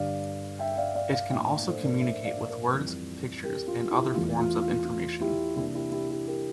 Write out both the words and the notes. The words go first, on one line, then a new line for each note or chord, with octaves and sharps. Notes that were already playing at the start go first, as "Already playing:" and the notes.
It can also communicate with words, pictures and other forms of information.
Already playing: G2 D3 G3 D5 F5
E5 G5
D5 F5
D5 F5
D5 F5
A2 F3 A#3 D4 E5 G5
D5 F5
A4 C5
A#4 D5
C5 E5
D5 F5
A#4 D5
F2 E3 G3 C4
G4 A#4
F4
E4 G4
E2 E3 A3 F4
F4
F4
F4
E4 G4
C2 C3 E3 A#3 D4 E4 G4
E4 G4
E4 G4
E4 G4
G4 A#4